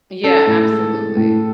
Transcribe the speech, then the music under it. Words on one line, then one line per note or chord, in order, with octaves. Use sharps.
Yeah, absolutely.
C#4 A4
A2
G#3
G#3
A2